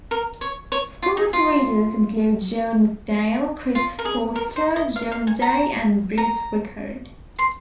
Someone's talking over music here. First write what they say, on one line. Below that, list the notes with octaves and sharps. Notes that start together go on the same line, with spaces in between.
Sports readers include John McNeil, Chris Forster, John Day and Bruce Rickard.
A#4
C#5
C#5
F4
D#4
F4
F4
A#4
G#4
A#4
C5
D#5
F5
F5
G#5
A#5
A#5
C6